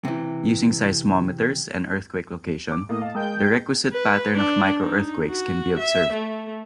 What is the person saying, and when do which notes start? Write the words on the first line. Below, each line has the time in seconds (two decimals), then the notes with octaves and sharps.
Using seismometers and earthquake location, the requisite pattern of micro-earthquakes can be observed.
0.05 C3 E3
2.71 D6
2.89 A2 A#3 D#5
3.01 F5 A5
3.15 G#3 A#4 G5 D#6 G6
3.93 B4
4.35 D4
4.80 D#4
5.30 F#4
5.78 E5
6.13 A3